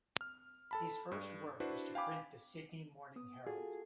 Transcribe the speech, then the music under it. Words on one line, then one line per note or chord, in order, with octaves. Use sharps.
His first work was to print the "Sydney Morning Herald".
F6
A4 A5 B5
G2
D4 E4 F#4 B4 C5
F5 G5 G#5 B5 D6
B3 D#6
F4 F#4 G#4 A4